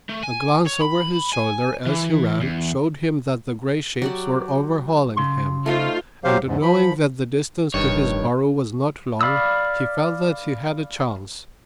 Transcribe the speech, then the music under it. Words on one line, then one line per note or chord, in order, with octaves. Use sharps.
A glance over his shoulder, as he ran, showed him that the gray shapes were overhauling him; and, knowing that the distance to his burrow was not long, he felt that he had a chance.
A3
G#5
C#5
B5
G#5
E3
E2
F#3 G4 D5
C#3 C6
A3 D#4 F4 C5
F#3 G4 C5 F5
E2 G#2
F3 B5
F1 G2 D#3 C#5
D5 F5 B5 D#6 E6